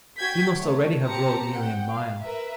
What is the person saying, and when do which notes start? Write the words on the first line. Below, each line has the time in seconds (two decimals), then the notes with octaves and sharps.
He must already have rowed nearly a mile.
0.18 F#4 G5 G6 G#6 B6
0.56 A3 C#5
1.03 C4 G4 A5 A#5 C#7
1.53 F#5 G5
1.92 F5
2.23 A#4 B4 E5